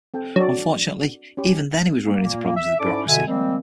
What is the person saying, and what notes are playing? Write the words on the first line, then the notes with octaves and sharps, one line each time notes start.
Unfortunately even then he was running into problems with bureaucracy.
C4 A4 G5
F#3 D4 F#4 D5
C#4 G4
A#3
A#2 A#3
E5
G#2 C#4 E4 A4 D5 D6
B2 D3 E5 G#5
D#3 F3 G3 G#3 A#3 C4